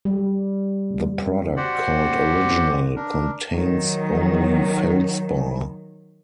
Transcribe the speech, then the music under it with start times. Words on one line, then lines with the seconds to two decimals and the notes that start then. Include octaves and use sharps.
The product called "original" contains only feldspar.
0.05 G3
1.57 F#4 G4 C5 D5 F#5
2.96 D4 A#4
3.53 D#3 F#3